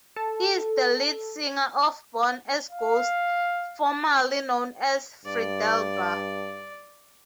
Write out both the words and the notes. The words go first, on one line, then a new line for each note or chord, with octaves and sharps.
He is the lead singer of Born As Ghosts, formerly known as Fredalba.
A4
F5
G2 D5